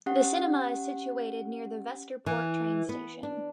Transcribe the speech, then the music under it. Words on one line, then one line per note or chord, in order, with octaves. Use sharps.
The cinema is situated near the Vesterport train station.
C#4 G4 F#5
E3
B3
D4